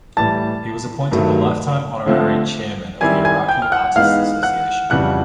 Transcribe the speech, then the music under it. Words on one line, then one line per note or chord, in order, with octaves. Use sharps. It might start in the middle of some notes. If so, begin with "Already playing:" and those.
He was appointed the lifetime honorary chairman of the Iraqi Artists Association.
A2 E3 G3 A5 A6
G2 D#3 F#3 A3
D3 F3 A3 C4 F4
D#3 G3 C4 E4 G#5 G#6
G#5 G#6
G5 G6
F6
F#5 F#6
E3 G#3 B3 D#4 F5 F6
F#5 F#6
F2 C#3 E3 G3 F#5 F#6